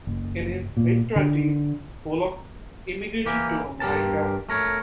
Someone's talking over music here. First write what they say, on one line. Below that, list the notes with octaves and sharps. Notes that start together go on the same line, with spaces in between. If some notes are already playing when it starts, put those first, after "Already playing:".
In his mid-twenties, Bullock immigrated to America.
F#1
A#2
D3
E3 A#3 G4
G2 G4 A#4 A5
A3 A#4 C#5